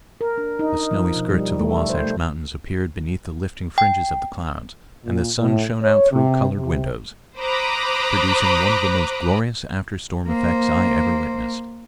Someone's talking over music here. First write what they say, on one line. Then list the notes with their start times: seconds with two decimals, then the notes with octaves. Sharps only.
The snowy skirts of the Wahsatch Mountains appeared beneath the lifting fringes of the clouds, and the sun shone out through colored windows, producing one of the most glorious after-storm effects I ever witnessed.
0.21 A#4
0.38 D4
0.59 D#4
0.91 F3
1.15 B2
1.30 G3
1.59 A3
1.89 C5
2.04 A3
3.78 G5
5.04 A#2
5.39 A2
5.81 C#5
6.12 C3
6.56 C3
7.39 C5 A#5 B5 D6 D#6 F#6
10.27 A#3 C5